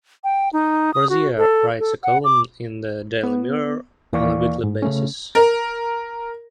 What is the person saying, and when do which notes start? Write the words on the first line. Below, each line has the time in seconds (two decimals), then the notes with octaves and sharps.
Brazier writes a column in the "Daily Mirror" on a weekly basis.
0.24 G5
0.53 D#4
0.94 D#6
1.10 F#4
1.38 A4
1.79 A4
2.03 F#5
2.24 D6
3.23 B3
4.13 D#2 E3 A#3 D5 F5 C#6
4.63 G#2
4.82 C#3 A3 C#4
5.35 A#4